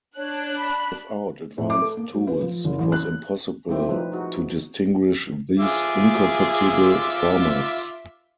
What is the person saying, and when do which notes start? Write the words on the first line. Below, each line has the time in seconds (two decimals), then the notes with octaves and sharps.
Without advanced tools, it was impossible to distinguish these incompatible formats.
0.17 D4 C#5 F#6
0.57 B5
1.58 A2
1.70 D6
1.82 A4
1.97 A#3
2.14 F#3
2.27 B4
2.41 F3
2.64 F#1
2.79 A1
2.92 F#6
3.69 G3 A3 C4 E4 G4
3.89 F3 D#4 B4
4.12 D#4 F#4 G#4
5.59 F4 G#4 E5 D6